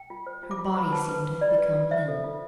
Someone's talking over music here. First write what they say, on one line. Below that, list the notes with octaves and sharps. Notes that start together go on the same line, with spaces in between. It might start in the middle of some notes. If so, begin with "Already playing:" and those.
Her body seemed to have become limp.
Already playing: G5
F4
C5
F4
D6
F4
C6
C5 B5
B4 A5
B4
B4
F4 D5
B4
F4
C5 E5
A4
F4